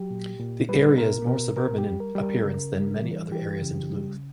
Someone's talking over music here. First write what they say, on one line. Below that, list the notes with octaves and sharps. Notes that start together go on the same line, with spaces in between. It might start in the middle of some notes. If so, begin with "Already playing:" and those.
The area is more suburban in appearance than many other areas in Duluth.
Already playing: F#3 G4
A#2
A#2
G3 B4
B2 A#4
B2 A#4
B2 A#4
G4
G3
A#4
G3
A#4
C#3
G3
E3
E3 G4
C#3
G3